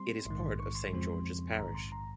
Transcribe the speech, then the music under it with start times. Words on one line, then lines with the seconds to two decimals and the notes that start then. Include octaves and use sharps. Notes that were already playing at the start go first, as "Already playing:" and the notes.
It is part of Saint George's Parish.
Already playing: G3 C4 C6
0.25 A#1 G#2 D#3
0.60 C#6
0.75 C6
0.93 F2 C#3 F3 G#3 C4
1.58 A#1 G#2 D#3 A#5
1.75 C6
1.92 A#5